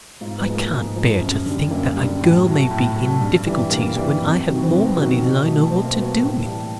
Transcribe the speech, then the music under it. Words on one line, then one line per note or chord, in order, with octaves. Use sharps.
I can't bear to think that a girl may be in difficulties when I have more money than I know what to do with.
G#2 F4
B3
F3 G#3
A#3
G#2
F3 G#3
F#2
D3 G3
F#2 A#3
D3 G3
A2
F#3 A3
A2
F#3 A3
G2
E3 G3
G2 A#3
E3 G3
F2
C3 D#3 F#3
C4
F2 B3
C3 D#3 F#3
B2
F#3 A3
B2 C4
A#3
F#3 A3 B3
A2 A#3
A3
E3 G3 A#3